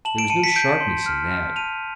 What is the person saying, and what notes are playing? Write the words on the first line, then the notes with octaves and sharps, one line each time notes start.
There was no sharpness in that.
A5 E7 F#7
D7 E7
A5 C#7 D#7
B6 C#7
G6 C7 D7
C6
F6
F6
A5 D#7 F7